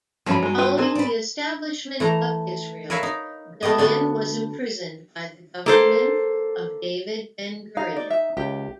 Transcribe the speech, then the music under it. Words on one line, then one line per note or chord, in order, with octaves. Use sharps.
Following the establishment of Israel, Ghilan was imprisoned by the government of David Ben-Gurion.
G2 B2 F3 F#3 C#4 B5
G#3 D#4
F4 B4 G5
A#3 C4 G#4
B4 D5
E3 A3 A#5
A#4 B4 C#5 E5 F5
D#4
A3 B3 G4 D#5
D3 B3 D4 F#4
A#3 A4 C5
D#4 F5 A#5
D5
E5
C#2 G4